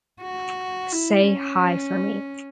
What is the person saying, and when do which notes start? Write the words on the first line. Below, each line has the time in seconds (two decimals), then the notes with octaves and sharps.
Say hi for me.
0.22 F#4
0.93 E4
1.28 C#4